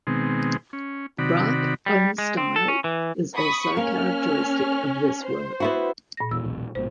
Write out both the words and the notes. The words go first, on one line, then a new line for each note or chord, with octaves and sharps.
Braque own style is also characteristic of this work.
B2 D#3 G#3 C4
C#4
C3 D#3 F#4 D5 B5
G3
G#3
C4
A4
C#4
E3
B5 C#6 D#6
A#3 C#4 F6
C5
B3 E4 F#4
A#2 A#6
E2 B2 E6
E1 B1 E2
A#1 G#2 B2 C5